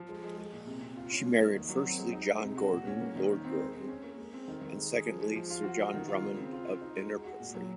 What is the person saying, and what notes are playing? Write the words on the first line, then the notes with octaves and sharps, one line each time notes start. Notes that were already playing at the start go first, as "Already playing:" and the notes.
She married firstly John Gordon, Lord Gordon, and secondly Sir John Drummond of Innerpeffry.
Already playing: F3
G#3
G#3
G#3
A#2
C3
C3
F4
C#4
F3
A#3
D#3
F#3
C4
G#3
D#4
G#3
C3
F#4
A#2
C#4
A#3
D#3
D#4
C4
G#3
C4
C#4
A#3
G#3
C4
D#3
D#3
G#3
G#4
F3
G#3
F3
F4
F#4
F#4
D#3
F4
C#3
C4
F4
F4
D#4
G#3
F#4
F#4
A#2
F#3